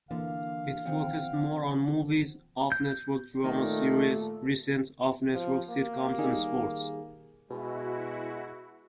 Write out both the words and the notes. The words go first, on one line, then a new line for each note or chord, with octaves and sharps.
It focused more on movies, off-network drama series, recent off-network sitcoms and sports.
D3 E3 A#3 F5
D#3 F3 C4 F#5 G5
G6
A#2 D#3 A3
F3
A#3
D#3 G3 G#4
B2 G#3 E4 F#4